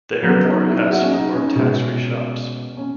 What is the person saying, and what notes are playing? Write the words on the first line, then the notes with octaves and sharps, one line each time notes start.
The airport has four tax-free shops.
C#3 F#3 B3
D#4
E4
F#4
C#4
D#4
C#4
B2 G#3
C#4